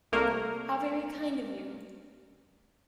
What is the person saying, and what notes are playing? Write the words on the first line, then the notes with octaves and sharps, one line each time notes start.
How very kind of you!
C2 A3 A#3 A#4